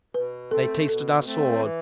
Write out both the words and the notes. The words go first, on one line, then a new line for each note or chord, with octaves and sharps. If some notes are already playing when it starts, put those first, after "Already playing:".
They tasted our swords.
B2 B4
A3 C4 A4
B2 A4
A3 C4
E3